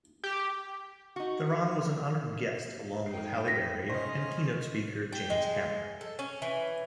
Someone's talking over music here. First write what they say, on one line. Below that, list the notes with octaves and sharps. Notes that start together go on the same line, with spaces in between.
Theron was an honoured guest along with Halle Berry and keynote speaker James Cameron.
G4
D#4 F#4
D#4 G5 C7
A#6 B6
C#4 C5 D#5 F6
G4
G#3
A4
C#4
E3